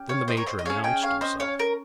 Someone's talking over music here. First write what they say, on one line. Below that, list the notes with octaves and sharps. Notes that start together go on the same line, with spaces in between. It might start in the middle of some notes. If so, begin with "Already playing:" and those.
Then the major announced himself.
Already playing: C#4 G4
C#5 F5
C5 D#5
A#4 C#5
C5 D#5
D#5
C#4 G#4 C#5 F5
D#5 G5
C#5 F5
C5 D#5
C#5 F5
A#4